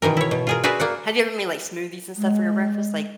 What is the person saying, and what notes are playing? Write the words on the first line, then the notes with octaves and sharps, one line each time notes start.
Have you ever made, like, smoothies and stuff for your breakfast, like
B2 D#3 E3 A#4
E4 C#5
B2
F4 G#4 A#4
F#4 G#4 B4 D5 E5 G#5
A#3 D5 F#5
G#3